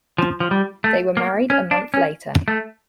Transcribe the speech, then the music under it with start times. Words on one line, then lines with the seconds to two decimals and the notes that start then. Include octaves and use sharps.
They were married a month later.
0.18 F3
0.40 F3
0.51 G3
0.84 A3
1.17 A#3
1.50 C#4
1.71 D4
1.94 C#4
2.48 A3